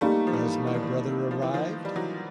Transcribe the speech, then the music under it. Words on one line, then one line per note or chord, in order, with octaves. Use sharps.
Has my brother arrived?
G3 A3 A#3 D#4 G4
F3
E3
E3
D#3
E3
F3
E3
D#3 F3
G3
E3 F#3